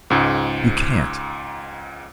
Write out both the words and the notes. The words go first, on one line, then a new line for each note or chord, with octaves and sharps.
You can't.
C#2 G#2